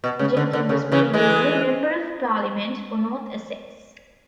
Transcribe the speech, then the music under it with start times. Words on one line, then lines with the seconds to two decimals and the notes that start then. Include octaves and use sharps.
Jenkin was previously Member of Parliament for North Essex.
0.04 B2
0.19 C#3
0.37 D3
0.53 D3
0.69 C#3
0.92 C#3 E3
1.13 E3 G#3